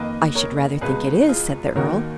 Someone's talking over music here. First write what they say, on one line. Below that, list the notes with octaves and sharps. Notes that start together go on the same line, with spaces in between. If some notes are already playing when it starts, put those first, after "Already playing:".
"I should rather think it is," said the earl.
Already playing: F2 D#3 A#3 B4 D#5
A#4 C#5
C#2 B2 G#3 G#4 B4
F4 G#4
D#2 D#3 A#3 F#4 A#4